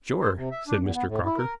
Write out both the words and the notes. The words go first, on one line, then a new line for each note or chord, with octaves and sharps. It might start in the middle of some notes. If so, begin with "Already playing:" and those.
"Sure," said Mr. Crocker.
C5
C3
E5
D4
E2
B3
A2
E4
A#4